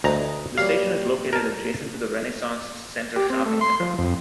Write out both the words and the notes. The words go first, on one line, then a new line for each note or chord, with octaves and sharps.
The station is located adjacent to the Renaissance Center Shopping Center.
D2 B4 D#5 A#5
F#3 G3 A#3 F5
A#4 A5
G4
C4
A3
C6
F3
F2